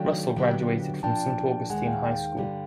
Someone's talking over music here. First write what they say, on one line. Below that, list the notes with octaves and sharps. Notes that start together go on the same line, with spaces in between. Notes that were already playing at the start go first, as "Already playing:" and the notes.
Russell graduated from Saint Augustine High School.
Already playing: D#3 F#3 A3 D4 G4 F5 G5
D3 F#3 B3 D4 G4
A#2 F3 A#3 D4 G5 A5
D#2 D#3 G#3 F#5 G#5
F5 G5
F5 G5
G2 D3 G3 F5 G5